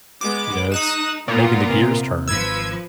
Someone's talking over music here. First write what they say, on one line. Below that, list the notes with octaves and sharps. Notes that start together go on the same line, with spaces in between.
you know, it's making the gears turn.
G#3 B3 D6
D#4 D#6 F#6 E7
A#2 B3 F4 A#4
C3
G#1 F3 B4 E6 G#6